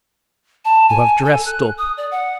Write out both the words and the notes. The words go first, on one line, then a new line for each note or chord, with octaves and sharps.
You have dressed up.
A5
G#5
A4
F#6
D#6
D5
F#5